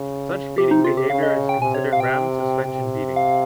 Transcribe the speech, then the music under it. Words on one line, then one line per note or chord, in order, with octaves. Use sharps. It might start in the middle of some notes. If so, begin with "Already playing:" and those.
Such feeding behavior is considered ram suspension-feeding.
Already playing: C#3
C3 G4
D#4
F4
G4
C#3 F5
D#5
G5
C3 G#5
C#5
F5
G5
C3
F5